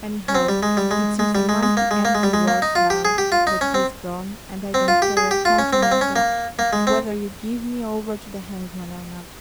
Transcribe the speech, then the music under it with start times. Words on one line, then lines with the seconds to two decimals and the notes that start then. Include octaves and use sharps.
Anyhow, it seems a mighty empty world now that he is gone, and I don't care a continental whether you give me over to the hangman or not.'
0.28 C#4
0.35 C4
0.49 G3
0.63 G#3
0.77 G3
0.91 G#3
1.19 G#3
1.35 G3
1.49 G#3
1.63 G#3
1.77 A#3
1.91 G#3
2.05 A#3
2.15 G#3
2.23 G3
2.33 G#3
2.48 A#3
2.62 D#4
2.75 F4
2.90 G4
3.05 G#4
3.18 G4
3.32 F4
3.47 D#4
3.61 C#4
3.74 C4
4.74 C4
4.88 F4
5.02 G4
5.17 G#4
5.31 G4
5.45 F4
5.59 C#4
5.73 C4
5.83 A#3
5.91 C4
6.01 C#4
6.16 A#3
6.59 A#3
6.73 G#3
6.87 C4